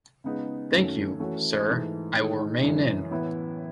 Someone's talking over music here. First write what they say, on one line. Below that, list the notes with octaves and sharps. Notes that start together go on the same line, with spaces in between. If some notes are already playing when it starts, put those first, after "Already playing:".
Thank you, sir, I will remain in.
C#3 G#3 B3 D#4
F#2 D#3 F#3 A3 C#4
E3 A3 C#4 F#4
G#2 E3 A3
D#3 G#3 D#4
F#2 C#3 E3 G#3
A2 E3 B3 E4